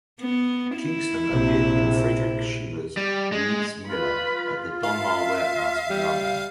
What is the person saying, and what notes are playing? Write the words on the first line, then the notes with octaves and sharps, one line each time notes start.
Kingston appeared in Friedrich Schiller's "Luise Miller" at the Donmar Warehouse in London.
B3
E4
A#1 C3
G3
G#3
F4 B4 B5
E5 F5
G3